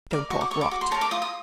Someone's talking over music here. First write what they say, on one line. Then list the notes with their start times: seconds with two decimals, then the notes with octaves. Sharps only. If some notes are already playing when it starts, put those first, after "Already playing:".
"Don't talk rot!"
0.11 A#4 D5
0.30 F#4 C#6
0.41 D6
0.51 C#5 C#6
0.54 A4
0.61 D6
0.71 F#4 D6
0.81 C6
0.91 C#5 A5
0.94 A#4
1.01 D6
1.11 F4 D#6
1.22 D#6